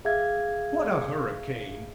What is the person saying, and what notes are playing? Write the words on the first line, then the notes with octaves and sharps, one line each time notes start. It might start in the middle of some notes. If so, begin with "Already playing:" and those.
What a hurricane!
G#4 E5 F5 G#6